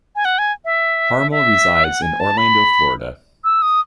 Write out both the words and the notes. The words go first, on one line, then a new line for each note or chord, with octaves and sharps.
Harmel resides in Orlando, Florida.
G#5
F#5
G#5
E5
E5
F#5
G#5
A5
B5
E6
D#6